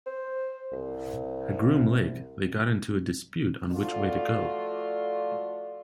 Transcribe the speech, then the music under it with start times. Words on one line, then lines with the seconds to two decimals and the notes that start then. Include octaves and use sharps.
At Groom Lake they got into a dispute on which way to go.
0.06 C5
0.72 C2
3.72 F3 A3 F4 F#4 D5